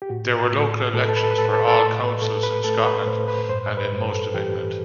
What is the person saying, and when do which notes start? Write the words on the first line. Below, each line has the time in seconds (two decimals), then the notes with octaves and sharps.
There were local elections for all councils in Scotland and in most of England.
0.02 G4
0.09 A2 F#4
0.52 A2
0.94 A2 A4
1.02 B4
1.09 A4
1.16 B4
1.23 A4
1.31 B4
1.37 A2 A4
1.46 B4
1.53 A4
1.60 B4
1.68 A4
1.79 A2 A4
2.01 B4
2.22 A2 A4
2.43 B4
2.64 A3 A4
2.86 B4
3.07 A2 C5
3.28 B4
3.49 G2 C5
3.77 B4
3.92 G2
4.06 A4
4.34 E3 G4